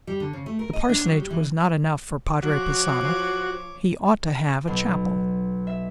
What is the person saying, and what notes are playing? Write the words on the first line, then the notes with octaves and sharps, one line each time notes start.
The parsonage was not enough for Padre Passanha; he ought to have a chapel.
G3
D3
C#3
A3
A#4
D#5
D4
F#3
G3
E3
F3 F#4 C#5 D6
B1
E5